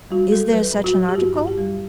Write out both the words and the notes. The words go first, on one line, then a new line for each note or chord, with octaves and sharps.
Is there such an article?
G3 F#4
G3 A4
F#3 B4
A2
F#4
F#3
G4
G2 F#4
G2
G4
G3